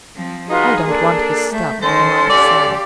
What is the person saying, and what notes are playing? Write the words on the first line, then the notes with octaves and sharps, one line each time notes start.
"I don't want his stuff," remarked Sam.
F3 C4
D#4 F4 F#4 G#4 B4
A#3 D4 A4
A3 E5 G6
D#3 C#4 A4 C5 C6
G4 D5 F5